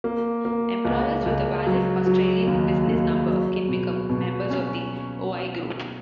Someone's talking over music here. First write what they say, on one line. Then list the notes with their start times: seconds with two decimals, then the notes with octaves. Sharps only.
Employers with a valid Australian Business Number can become members of The Oi Group.
0.04 A#3
0.45 A#3
0.85 C#2
1.26 C#2
1.66 F#3
2.06 F#3
2.47 D#2
2.88 D#2
3.28 F#3
3.68 B2
4.09 B2
4.50 C#4